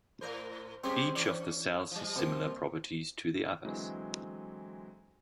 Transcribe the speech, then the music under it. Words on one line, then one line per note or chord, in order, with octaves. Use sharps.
Each of the cells has similar properties to the others.
A2 A#4 C5
G3 C4 C#4 G4 G#4
E3 C#4 D4
F3 G3
C3 A#3
D3 E3 F#3 G#3 C4